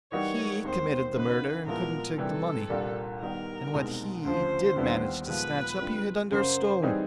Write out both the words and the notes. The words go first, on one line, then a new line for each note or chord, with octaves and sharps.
He committed the murder and couldn't take the money, and what he did manage to snatch up he hid under a stone.
E3 G3 A#3 D#4 F#4 C#5
D#2 D#3 G#3 C4 C5
C#3 F#3 A#3 D#4 B4
A#2 F3 G#3 B3 E4 A#4
C3 E3 G3 A4
C2 A#2 G3 A#3 D4
D#3 G3 B3 D#4 F#4 A#4
C2 B2 G#3 C4 D#4
D2 C#3 F3 C5
D#2 D3 G3 B3 E4
A#2 F3 G#3 B3 B4
D3 G3 C4 F4
F#2 C#3 F#3 A#3 C5
E3 G3 C4 D#4 G#4